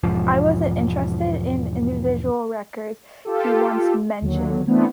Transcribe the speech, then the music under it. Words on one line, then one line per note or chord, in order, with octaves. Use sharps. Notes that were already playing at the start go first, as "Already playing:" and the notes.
"I wasn't interested in individual records," he once mentioned.
E1 G#2 F3
F4 G4 A4
D#2 D3 F#3
E3 A3 B3 C4 D4 E4